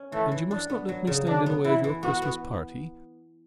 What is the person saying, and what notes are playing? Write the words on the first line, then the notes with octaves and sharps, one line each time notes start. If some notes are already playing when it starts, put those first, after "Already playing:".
And you must not let me stand in the way of your Christmas party.
Already playing: C#4
E3 A3
E3
D4
B3
F#3
C#3
F#3 D4
B3
E3 E4
E3
B3 F#4
B3